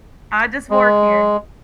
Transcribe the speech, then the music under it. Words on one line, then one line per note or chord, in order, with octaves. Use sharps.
I just work here.
G#3